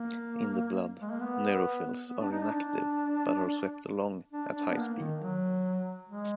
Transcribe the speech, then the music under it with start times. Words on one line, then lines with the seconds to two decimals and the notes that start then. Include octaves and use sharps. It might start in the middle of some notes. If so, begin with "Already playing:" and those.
In the blood, neutrophils are inactive but are swept along at high speed.
Already playing: A#3
1.02 G#3
1.11 A#3
1.20 B3
2.09 B3
2.20 D4
2.31 D#4
2.42 D4
2.54 D4
4.32 D4
4.53 D4
4.71 B3
4.76 A#3
4.98 D#3
5.21 F#3
6.10 G#3